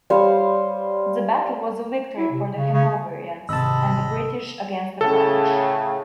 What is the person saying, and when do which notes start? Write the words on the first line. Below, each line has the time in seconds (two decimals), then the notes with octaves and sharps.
The Battle was a victory for the Hanoverians and the British against the French.
0.10 G3 C5 C#5 F5
2.17 E4
2.31 C3
2.56 C#3
2.73 C#3
3.49 G#1 C3 D#5 A5 B5 E6
5.01 A2 C#3 A4